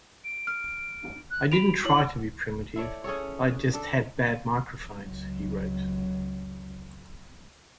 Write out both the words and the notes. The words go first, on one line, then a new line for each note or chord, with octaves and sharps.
"I didn't try to be primitive, I just had bad microphones", he wrote.
D7
F6
F#6
F#4 B5 D7 F7
E4 C#5 F#7
E4 A4 C#5 D5
C#4 G#4 A4 C#5
D4 A4
C#2 F#3